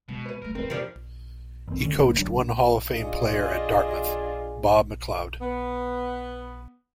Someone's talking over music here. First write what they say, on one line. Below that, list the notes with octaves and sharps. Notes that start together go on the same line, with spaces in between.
He coached one Hall of Fame player at Dartmouth, Bob MacLeod.
B2 G#3
B4 D#7
F#3 A3 A#4
G2 C4 D#4 A#4 B4
F2 F3 G3 D4
A1 F#2 C4
D3 D#3 A3 C#4
G1 G#2 C#4
C#2 F#2 G#3 A#3
D2 F#3 D4
A#2
D4 F4 G#4 D#5 F5
B3